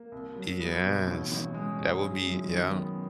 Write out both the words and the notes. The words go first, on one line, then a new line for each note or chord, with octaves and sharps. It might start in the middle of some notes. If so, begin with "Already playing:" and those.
Yes, that would be yeah.
Already playing: A#3
C2
F#3
B3
B2
A1
A1
G#3
G#3
F#3
F#2
D#3
B3